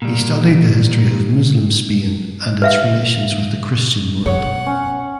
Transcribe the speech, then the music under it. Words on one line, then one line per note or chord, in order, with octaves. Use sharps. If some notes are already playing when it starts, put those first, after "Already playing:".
He studied the history of Muslim Spain and its relations with the Christian world.
A#2 G3
B4 E5 F5
B2 C#5 F#5
C#4